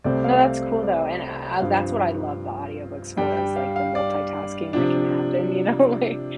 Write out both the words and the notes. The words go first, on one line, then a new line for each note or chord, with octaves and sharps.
No, that's cool, though, and I I I uh, that's what I love the audiobooks for is, like, the multitasking that can happen, you know? Like,
C2 C3 A3 C4 D5
F5
F5
D5
G2 F3 C4 F5
G2 G3 D4 G5
G5
F5
F5
D5
C3 F3 D4